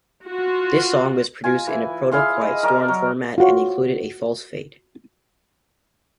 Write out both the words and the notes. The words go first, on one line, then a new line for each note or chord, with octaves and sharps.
This song was produced in a proto-quiet storm format and included a false fade.
F4 F#4
F4 G#5
E3 E4
E4 G#4 F5 C6
D#5
A#4 D5 A5 D6
F#3
F4 F#4 C#5